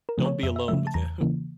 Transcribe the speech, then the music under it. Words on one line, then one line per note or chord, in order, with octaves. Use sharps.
don't be alone with him,
A#4
C#3 F3 A3
C#5
F2 E5
E5
C#3 F3 A3 E5
A5
E2 A#5
C#3 E3 A#3